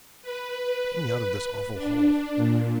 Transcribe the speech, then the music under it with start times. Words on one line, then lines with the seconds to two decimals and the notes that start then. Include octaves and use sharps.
"Get me out of this awful hole."
0.22 B4
1.74 D4
2.36 A#2